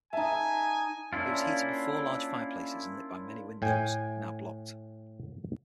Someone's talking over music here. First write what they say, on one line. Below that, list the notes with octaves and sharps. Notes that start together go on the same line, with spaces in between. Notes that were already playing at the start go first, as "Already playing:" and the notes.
It was heated with four large fireplaces and lit by many windows, now blocked.
D#4 E5 G#5 A5
A#3 C#4 D4 E4 F4
A2 G5 G#5